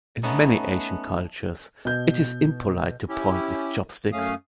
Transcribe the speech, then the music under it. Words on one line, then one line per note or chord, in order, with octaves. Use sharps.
In many Asian cultures, it is impolite to point with chopsticks.
A3 B3 C#4 D#4
B2 G6
C#4 E4 G4
F#2 A3 C#4 F5 D#6